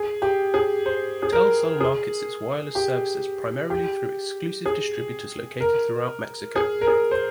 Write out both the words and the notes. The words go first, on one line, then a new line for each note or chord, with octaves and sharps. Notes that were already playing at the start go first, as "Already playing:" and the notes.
Telcel markets its wireless services primarily through exclusive distributors located throughout Mexico.
Already playing: G#4
G4
G#4
C5
G#4
A#4
G#4
G4
G4
G#4
A#4
G#4
A#4
G#4
C5